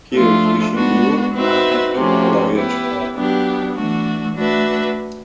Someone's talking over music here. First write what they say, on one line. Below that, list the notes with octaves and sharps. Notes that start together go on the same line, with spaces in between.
Here's wishing you a happy voyage home.
F3 A3 D4 F4
G#3 B3 D4 F#4
C4 D#4 F#4 B4 E5
C3 F3 A3 C#4 F#4
B3 E4 G4 B4
F#3 B3 D4 G4
E3 A3 D4 F#4
A3 D4 F#4 B4 E5